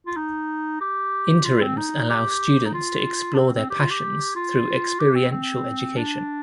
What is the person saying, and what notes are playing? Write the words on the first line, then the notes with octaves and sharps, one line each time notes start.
Interims allow students to explore their passions through experiential education.
F4
D#4
G4
F4
C4
D#4
G4
D#4
F4
D4
C4
C4
G4
F4
G4
F4
G4
C4
C4
D4